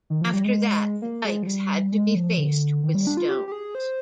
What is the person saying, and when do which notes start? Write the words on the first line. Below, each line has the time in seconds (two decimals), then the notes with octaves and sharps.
After that the dikes had to be faced with stones.
0.10 D#3
0.21 F3
0.34 G3
0.45 G#3
1.02 A#3
1.25 G#3
1.43 F3
1.47 G3
1.92 G#3
2.15 F3
2.38 D3
2.84 D#3
2.95 G3
3.07 D4
3.17 F4
3.29 G4
3.48 G4
3.52 G#4
3.75 C5